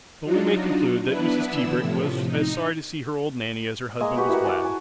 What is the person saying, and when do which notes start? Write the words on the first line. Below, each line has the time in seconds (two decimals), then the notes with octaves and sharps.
But we may conclude that Mrs. Tebrick was as sorry to see her old Nanny as her husband was glad.
0.24 F#3 D4 D#4 F4 F#4
1.06 B3 D4 E4 B4
1.47 D3 E3 B3 E4 E6
1.79 A2 C3 F3
2.25 D#4
4.00 G#3 A#3 D#5 G#5
4.16 F#4 G4 B4 F#5
4.29 E4 F#4 A#4 F#5
4.44 G#5 A5 D6
4.65 G#5